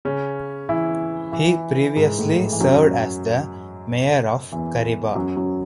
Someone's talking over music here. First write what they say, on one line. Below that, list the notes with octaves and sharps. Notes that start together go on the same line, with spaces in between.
He previously served as the Mayor of Kariba.
C#3 C#4
E3 E4
E3 E4
G#2 G#3
A2 A3
E3
F#2 F#3
E2 E3
F#2 F#3
F#2 F#3